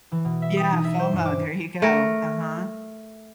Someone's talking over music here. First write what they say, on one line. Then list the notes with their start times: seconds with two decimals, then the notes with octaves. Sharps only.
Yeah, FOMO, there you go, uh-huh.
0.12 E3
0.25 B2
0.42 E5
0.57 D#6
0.72 D#4
0.85 E5
0.99 C5
1.12 G2
1.25 D6
1.82 A3 A#4